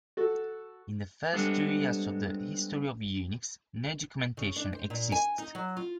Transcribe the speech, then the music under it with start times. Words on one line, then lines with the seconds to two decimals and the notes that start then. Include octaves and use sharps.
In the first two years of the history of Unix, no documentation existed.
0.17 F#4 A4
1.33 G3 G#3 B3 C4 D4 A4
4.37 C#3
4.56 D4
4.73 C5
4.90 A#2
5.12 G#5
5.38 D#4
5.55 F#3
5.77 F4